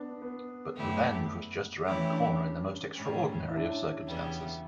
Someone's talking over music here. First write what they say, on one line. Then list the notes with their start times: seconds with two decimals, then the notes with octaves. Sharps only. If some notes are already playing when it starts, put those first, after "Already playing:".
But revenge was just around the corner in the most extraordinary of circumstances.
Already playing: B3 D4
0.22 B3
0.76 F#2 D3 A3 E4 G4
1.85 E3 A3 C#4 E4 G4
2.12 D4
2.94 A2 G3 C#4
3.50 E4
3.56 D4
3.63 C#4
3.71 D4
4.04 E2 C#3 G3 B3